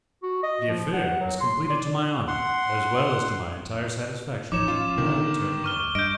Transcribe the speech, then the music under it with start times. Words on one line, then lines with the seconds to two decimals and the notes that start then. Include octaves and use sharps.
The affair was completed to my honour as well as to my entire satisfaction, and I returned home.
0.23 F#4
0.43 D#5
0.68 F3
0.93 F#5
1.20 F#3
1.41 C6
1.69 D5
2.28 F#5 C6
4.52 A1 F3 D#4 C#5 D6 E7
4.66 C#4 F4
4.98 B2 D3 D#3
5.64 C#6 F6 G7
5.95 G2 D#5 G6 D7